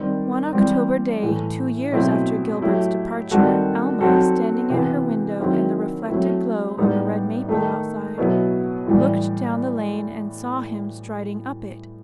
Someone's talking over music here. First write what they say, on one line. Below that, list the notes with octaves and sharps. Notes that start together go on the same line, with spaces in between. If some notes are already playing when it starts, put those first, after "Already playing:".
One October day, two years after Gilbert's departure, Alma, standing at her window in the reflected glow of a red maple outside, looked down the lane and saw him striding up it!
Already playing: D#3 G3 C4
E3 G3 C4
A2 E3 A3
B2 F#3 A3 C4 E4
F#3 A3 E4 G4
D#3 G3 C4 F#4 A4
F#3 C4 D#4 F#4 A4
C3 E3 B3
D#3 F#3 C4 E4
F#3 A3 C4 E4
A2 G3 B3 D#4 G4
D#3 A3 D#4 A4
B2 F#3 B3 E4
A2 E3 G3